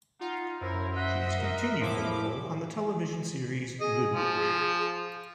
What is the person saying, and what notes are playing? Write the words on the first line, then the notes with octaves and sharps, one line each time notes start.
She has continued the role on the television series "Good Witch".
D#4 F4 F#5
F#2 E4 A#4 C5
D#5 E5 F#5 C6
A#4
A2 F3 E4 D6
G#4 D#5
F3